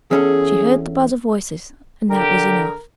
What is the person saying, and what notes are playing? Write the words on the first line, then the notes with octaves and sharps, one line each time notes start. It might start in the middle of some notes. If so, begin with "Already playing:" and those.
She heard the buzz of voices; and that was enough.
E2 C#4 G#4 A4
D3 G4 A#4